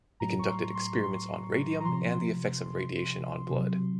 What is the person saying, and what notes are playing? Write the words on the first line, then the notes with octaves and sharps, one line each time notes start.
He conducted experiments on radium and the effects of radiation on blood.
A2 F#3 A#5
C#6
C6
C6
C6
A#5
C3 F3 C6
C3 F#3